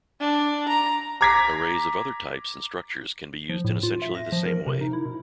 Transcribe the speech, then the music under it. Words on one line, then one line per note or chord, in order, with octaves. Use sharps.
Arrays of other types and structures can be used in essentially the same way.
D4
A#5
A#5 D6 G#6 A#6 B6
F3
A2
F4
E5
A#6
F3
A#4
C3
D#4
E4
B2